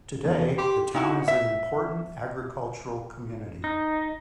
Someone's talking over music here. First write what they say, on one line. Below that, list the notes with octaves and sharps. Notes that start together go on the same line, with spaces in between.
Today, the town is an important agricultural community.
E2
G4 C6
D#4 E4 F#4
E5
D#4